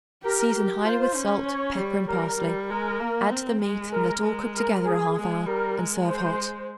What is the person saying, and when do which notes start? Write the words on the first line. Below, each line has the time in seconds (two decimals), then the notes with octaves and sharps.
Season highly with salt, pepper and parsley; add to the meat, and let all cook together a half hour and serve hot.
0.22 G4 A#4
0.54 G4
0.84 F4 C5
1.15 C#4
1.46 C#5
1.77 G3
2.07 G3 A#4
2.38 G3
2.70 G#3 A#4
2.99 A#3
3.30 C4
3.62 G#3
3.92 A#4
4.23 G#3
4.54 A#4
4.84 G#4
5.16 G#3
5.46 G3 A#4
5.77 G#3
6.07 C5